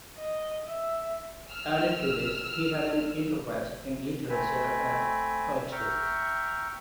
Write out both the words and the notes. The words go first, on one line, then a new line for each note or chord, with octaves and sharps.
Added to this, he had an interest in literature and poetry.
D#5
E5
E6 F6
A3 C4 G#5 B5
E5 G5 A#5 C#6 F6